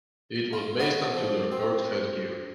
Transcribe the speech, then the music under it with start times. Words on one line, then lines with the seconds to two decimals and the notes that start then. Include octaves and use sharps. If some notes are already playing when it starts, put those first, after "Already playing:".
It was based on Tudor Court headgear.
0.53 F4
0.79 C#5 D#5 F5 F#5 B5 D6
1.14 F3
1.52 C4